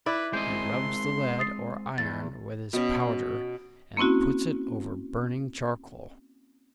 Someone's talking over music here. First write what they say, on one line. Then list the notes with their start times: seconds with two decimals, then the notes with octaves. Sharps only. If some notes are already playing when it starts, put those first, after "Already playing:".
He rubs the lead or iron with his powder, and puts it over burning charcoal.
0.06 E4 B4 D5 B5
0.33 G#3 C4 D#5 C6 G6
1.39 D#6 A6 C7
1.98 E2 A6
2.73 B2 C#4
3.97 A#3 C4 C#4 E4 F#4